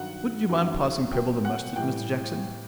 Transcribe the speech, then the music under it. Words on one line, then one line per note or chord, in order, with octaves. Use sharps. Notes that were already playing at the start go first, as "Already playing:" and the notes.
Would you mind passing Prebble the mustard, Mr Jackson?'
Already playing: G2 D#3 F#3 F#5
F#2 D#3 F#3
B2 F#3 G5
F#5
A2 E3 G3 G5